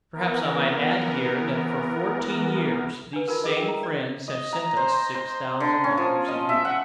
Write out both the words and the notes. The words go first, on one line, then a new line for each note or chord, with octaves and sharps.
Perhaps I might add here that for fourteen years these same friends have sent us six thousand dollars a year.
E3 B3 A#4
D4 B4
D#4 F4 F#4 A#4 B4
G#4 A4 B4 D#5
D4 A#4 E5 G5
E4
D5
D#5
A#5
C5
C5
D3
C#4
F3
D#5
E5
F#5